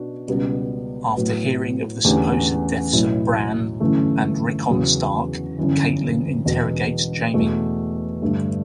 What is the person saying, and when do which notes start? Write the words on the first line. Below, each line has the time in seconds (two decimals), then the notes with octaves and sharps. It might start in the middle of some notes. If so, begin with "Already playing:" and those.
After hearing of the supposed deaths of Bran and Rickon Stark, Catelyn interrogates Jaime.
Already playing: B2 D4 F#4
0.28 C#2 B2 G3 B3
1.16 A2 F#3 B3
2.04 E2 D3 A3 C#4 G4
2.93 B1 A2 F#3 B3 E4
3.80 G1 F#2 E3 A3
4.69 E2 C#3 F#3
5.57 G1 F#2 E3
6.45 E1 E2 B2
7.34 E2 B2 A3
8.22 G1 G2 D3 A3